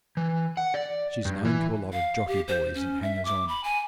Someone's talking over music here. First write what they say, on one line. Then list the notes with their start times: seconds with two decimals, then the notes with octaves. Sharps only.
She's known to a lot of jockey-boys and hangers-on.
0.17 E3
0.57 F#5
0.74 D5
1.25 G2
1.45 E3
1.93 F5
2.28 G4
2.48 C5
2.75 C#4
3.02 E5
3.25 D6
3.48 B5
3.64 G#5